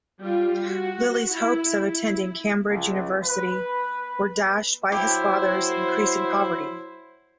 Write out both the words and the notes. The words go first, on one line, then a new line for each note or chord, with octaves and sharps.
Lilly's hopes of attending Cambridge university were dashed by his father's increasing poverty.
G3 F4
F#4
E4
E4
C#2
B4
F#3 E4 G4 C5